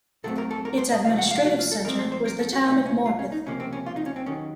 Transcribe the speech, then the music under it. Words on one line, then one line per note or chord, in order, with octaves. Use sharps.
Its administrative centre was the town of Morpeth.
A#2 F#3 A3 C4 A4
A#4
A4
A#4
C5
D#5
C2 A#2 F3 A3 F5
F#5
F5
F#4
F4
A4
A2 F3 C4 A#4
C5
C5
A#4
A4
F#4
C2 A#2 A3 C#4
C#4
F4
C#4
D#4
C#2 C3 F3 A#3 C#4
C4
C#4
F4
D#4
C#4
C4
D#2 D#3 F#3 C#4